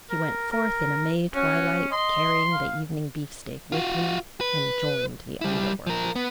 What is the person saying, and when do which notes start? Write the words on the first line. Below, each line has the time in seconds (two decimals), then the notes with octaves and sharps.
He went forth in a May twilight, carrying the evening beefsteak with him, and joined the underworld.
0.10 A#4
0.52 A#4
1.35 C#4 F#4
1.91 D#5 C6
2.53 F5
3.72 F4 F#4
4.41 B4
5.41 G3 E4
5.87 F3 A#4
6.15 B3